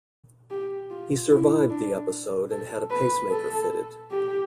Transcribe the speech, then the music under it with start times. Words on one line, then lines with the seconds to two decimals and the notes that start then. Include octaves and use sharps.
He survived the episode and had a pacemaker fitted.
0.50 G4
0.90 F4
1.30 E4
1.70 D4
2.51 A4
2.90 B4
3.31 A4
4.11 G4